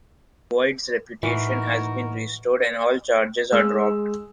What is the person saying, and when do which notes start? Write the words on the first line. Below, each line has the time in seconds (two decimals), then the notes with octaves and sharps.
Boyds reputation has been restored and all charges are dropped.
1.23 A2 E3 D#4 F#4 A#4
3.52 G#3 E6